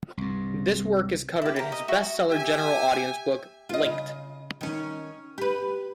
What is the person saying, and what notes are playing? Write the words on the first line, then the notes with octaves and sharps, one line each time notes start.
This work is covered in his bestseller general audience book, Linked.
C2 G2
E4 G4
G4 A#4
D#5
F#4 E5 C#6
G4 E5 G#5
F4 D#5
C#3
D#3 C#4
G4 B4